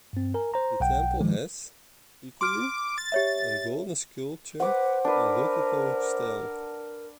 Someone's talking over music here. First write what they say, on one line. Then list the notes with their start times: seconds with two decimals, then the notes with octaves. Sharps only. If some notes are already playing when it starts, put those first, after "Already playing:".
The temple has, equally, a golden sculpture in rococo style.
0.13 G2 C4
0.34 A#4 G#5 A#5
0.54 C5 A#5
0.80 B1 F#5 G5
1.21 D#3 F3 G#3
2.41 C6 D6 F6
2.98 A6
3.12 G4 C#5 E5
4.60 B4 C5 F#5 D6
5.05 D4 A#4 B4